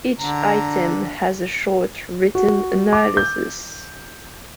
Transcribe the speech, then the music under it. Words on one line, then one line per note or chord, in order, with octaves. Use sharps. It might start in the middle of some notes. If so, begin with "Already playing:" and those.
Each item has a short written analysis.
D3 A#5
F#4
D6
G6